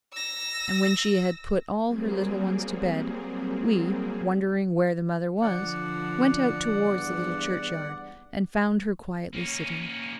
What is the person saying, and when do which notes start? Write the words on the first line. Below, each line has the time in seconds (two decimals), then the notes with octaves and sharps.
And when she had put all her little ones to bed--we, wondering where the mother was, went out towards the little churchyard, and found her quietly sitting there.
0.13 E6 A#6
1.86 F#3 G3 A#3 C4 G#4
5.42 D3 F3 D5 F#5
6.85 E2 G2
9.33 A#3 C#4